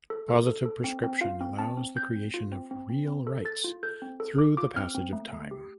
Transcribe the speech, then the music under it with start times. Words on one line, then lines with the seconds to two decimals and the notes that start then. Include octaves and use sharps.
Positive prescription allows the creation of real rights through the passage of time.
0.10 A4
0.29 A4
0.47 A4
0.66 A4
0.84 C4
1.04 C4
1.21 F4 F5
1.41 C4
1.59 C4 A5
1.77 C4
1.96 C4 G6
2.15 C4
2.34 F4
2.52 C4
2.71 C4
2.89 C4
3.08 C4
3.27 A4
3.45 A4 A6
3.64 F4
3.83 A4 G6
4.02 C4
4.20 A4
4.38 A4 D6
4.57 F4 D6
4.76 C4 F6
4.95 C4
5.13 A3
5.32 A3
5.51 G4